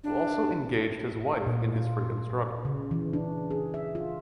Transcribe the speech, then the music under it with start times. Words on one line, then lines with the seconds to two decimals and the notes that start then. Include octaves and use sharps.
Who also engaged his wife in his freedom struggle.
0.04 D4
1.47 A#2
1.76 F4
2.65 C#3
2.91 E3
3.13 D4
3.51 G#4
3.74 E5
3.95 F4